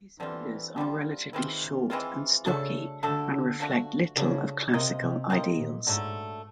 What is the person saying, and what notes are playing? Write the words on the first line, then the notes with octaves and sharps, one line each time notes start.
His figures are relatively short and stocky, and reflect little of classical ideals.
D3 E3 G3 C4 F4
D3 G3 C4 F4
D#3 E3 G#3 C4 F4
E3 G#3 C4 F4
C#3 A3 D4 F#4 A4
D3 A3 D4 F#4 A4
F3 A3 D4 F#4
C#3 F3 A3 D4 F#4
C3 C4 F4 A#4 D#5
C3
C3 C4 F4 A#4 D#5
A#2
G#2 D3 F#3 A3